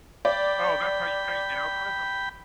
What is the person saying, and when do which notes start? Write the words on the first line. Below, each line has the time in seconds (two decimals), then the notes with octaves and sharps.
Oh, that's how you change the algorithm?
0.25 D5 G5 B5